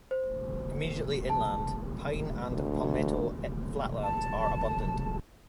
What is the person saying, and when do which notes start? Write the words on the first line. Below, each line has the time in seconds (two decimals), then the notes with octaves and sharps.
Immediately inland, pine and palmetto flatlands are abundant.
0.11 C5
1.30 A5
2.52 D2
4.02 A5